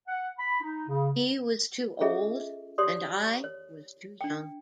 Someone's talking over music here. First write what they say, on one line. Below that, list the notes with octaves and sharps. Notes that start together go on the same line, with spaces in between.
He was too old, and I was too young.
F#5
B5
D#4
C#3
C#4 F4 G#4 A4 D#5 E5
G4 C#5 D5 C6 D#6
C#5
D4 G5